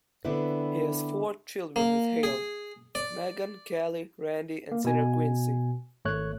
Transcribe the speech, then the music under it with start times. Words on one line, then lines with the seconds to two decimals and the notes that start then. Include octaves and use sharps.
He has four children with Hale: Meghan, Kelly, Randy, and singer Quincy.
0.25 D3 B3 C4 D4 E4 B4
1.76 A#3
2.23 G#4
2.95 D5
4.72 A#3
4.85 B2 G#5
6.05 G#1 A3 C#5 F#6